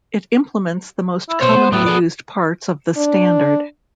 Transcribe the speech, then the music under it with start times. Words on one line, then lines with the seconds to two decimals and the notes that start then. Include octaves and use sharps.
It implements the most commonly used parts of the standard.
1.29 E4
1.41 B2 C5 C#5
1.56 B3
1.72 A2 F#3 A3 B3
1.86 G#4 A4 D5
2.97 D4